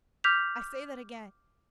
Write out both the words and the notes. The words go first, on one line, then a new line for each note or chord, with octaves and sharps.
I say that again.
D6 F6 G6 B6 F7